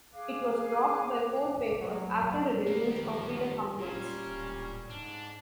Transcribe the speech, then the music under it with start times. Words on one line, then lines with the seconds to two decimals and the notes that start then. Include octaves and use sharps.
It was dropped by four papers after a deluge of reader complaints.
0.12 G#4 F5 D6 F#6
1.81 F#3
2.66 D#2 G3 A#3
3.03 F3
3.79 A#2 C#4 F4
4.28 D1
4.90 G#2 D4